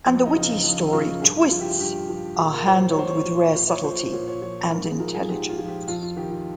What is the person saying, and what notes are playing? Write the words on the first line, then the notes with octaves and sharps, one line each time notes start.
And the witty story twists are handled with rare subtlety and intelligence.
F2 C5
D#4
C#3 F3
F4
F2
C#3 F3
G2 G#4
F4
F3
G4
G2 G4
F3
A#2 G#4
A#4
F3 C5
C#5
A#2 C5
C#5
F3
A#2 C5
C#5
F3 C5
C5
A#2 C#5
C#5
F3 C#5
G#2 A#4
G#4
F3 A#4
G#4
G#2 G4
F4
F3
G4
F2 F4
F4
D#3 G4
F4